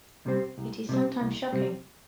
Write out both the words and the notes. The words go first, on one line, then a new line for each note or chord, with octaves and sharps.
It is sometimes shocking.
C3 G3 C4
C2
C3 G3 C4
C2
C3 G3 C4